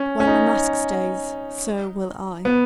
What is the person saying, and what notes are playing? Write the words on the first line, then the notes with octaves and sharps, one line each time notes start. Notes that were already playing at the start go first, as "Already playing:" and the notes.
"While La Masque stays, so will I."
Already playing: C#4
C#4
D#4
B3